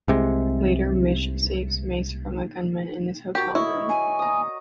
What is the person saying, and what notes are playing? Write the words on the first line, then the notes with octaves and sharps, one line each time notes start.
Later, Mitch saves Mace from a gunman in his hotel room.
C2 C3 G#3
F#4 G4 A#4
E4 C#5 D#5
G#5
A#5 D#6